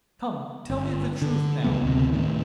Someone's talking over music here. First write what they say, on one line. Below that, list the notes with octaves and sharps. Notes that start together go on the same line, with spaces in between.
"Come--tell me the truth now."
G1
D3
C#2 C#3 F#3 B3
D2 C3
A2 D#3